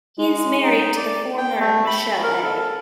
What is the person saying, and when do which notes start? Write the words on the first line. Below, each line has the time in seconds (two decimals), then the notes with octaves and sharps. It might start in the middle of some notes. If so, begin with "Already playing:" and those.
He is married to the former Michele A.
0.19 G#3
0.63 D#4
0.96 D5
1.38 G5
1.60 A3
1.87 B5
2.23 A#4
2.44 A4